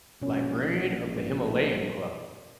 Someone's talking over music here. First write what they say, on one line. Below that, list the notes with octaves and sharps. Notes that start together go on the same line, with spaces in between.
Librarian of the Himalayan Club.
A#1 B2 C#4